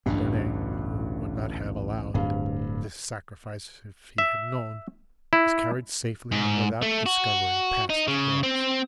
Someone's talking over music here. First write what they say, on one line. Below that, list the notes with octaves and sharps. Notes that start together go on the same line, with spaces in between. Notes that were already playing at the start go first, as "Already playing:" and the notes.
Darnay, who would not have allowed this sacrifice if he had known, was carried safely and without discovery, past the guards.
A1 D2 G2 B2
D1 G2 F5
E5
E4
G#2
A3
F#4
D#4
C#3
C4